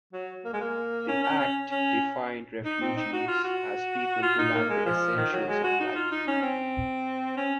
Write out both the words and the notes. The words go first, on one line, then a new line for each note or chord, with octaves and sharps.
The act defined refugees as people who lack the essentials of life.
F#3
A#3
G#3
A#3
C#4
C#4
C#4
C#4
D#4
C4
D#4
F#4
F4
F#4
F4
D#4
A#3
G#3
F3
D#3
F#3
G#3
F#4
D#4
F4
D#4
C#4
C4
C#4